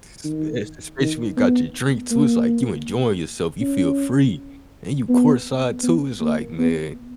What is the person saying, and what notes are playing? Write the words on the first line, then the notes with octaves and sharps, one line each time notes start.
Sp especially when you got your drink too, it's, like, you enjoying yourself, you feel free, and you courtside too, it's, like, "Man"
D#3
D#3
B3
A#3
C#4
B3
B3
A#3
B3